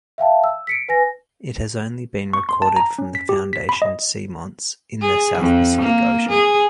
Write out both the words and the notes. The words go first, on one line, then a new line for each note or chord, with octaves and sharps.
It has only been recorded from the Foundation Seamounts in the South Pacific Ocean.
E5 F5 G5 A5
E6
B6 C#7 D7
B4 G#5 A#6
C#6
C6
A5
A#5
C#4
B6
G4
B6
B5
D#5
G#4
F2
A#3
G#4